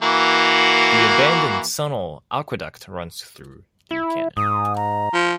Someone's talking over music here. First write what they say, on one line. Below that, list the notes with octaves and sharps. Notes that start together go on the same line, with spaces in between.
The abandoned Sunol Aqueduct runs through the canyon.
E3 A#3 F#4
E4
G#2 D#6
A#5
F3